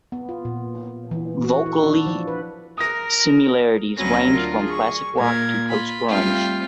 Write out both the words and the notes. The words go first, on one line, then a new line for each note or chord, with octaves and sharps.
Vocally similarities range from classic rock to post-grunge.
B3
F4
A#2
E3
F#4
E4
D4
F3
B4
A#4 D#6 A#6
D2 F#3 C4 C#4 B4 A#6
D4 F4 A#4
G#4 C#6
A#2 A#4 G#6
F4 B5
G3 A3 C4 F4 F5 G5